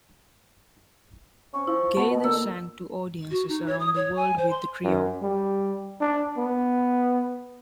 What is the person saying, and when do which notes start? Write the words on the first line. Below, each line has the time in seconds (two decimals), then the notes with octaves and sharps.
Gaither sang to audiences around the world with the trio.
1.54 C4 C#4 C#6
1.67 F3 E4
1.97 B3 F#4 B4 A5
2.11 B2 D#5
2.24 A#2 D3 A#3 E6
3.31 F#4
3.49 D#4
3.67 C#5
3.80 D#6
3.96 C#5
4.16 G#5
4.38 C5
4.50 C6
4.84 F#2
5.22 G3
6.01 D4
6.37 B3